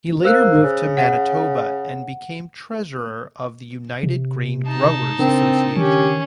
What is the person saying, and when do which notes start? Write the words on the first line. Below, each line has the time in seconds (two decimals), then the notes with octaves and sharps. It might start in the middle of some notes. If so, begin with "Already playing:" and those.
He later moved to Manitoba, and became treasurer of the United Grain Growers association.
0.24 A#3 C5 E6 F#6
0.63 C#3
0.97 F#5
4.03 C3
4.67 D#4 A5
5.19 C#3 C4 D4 A#4
5.76 D#3 C#4 G4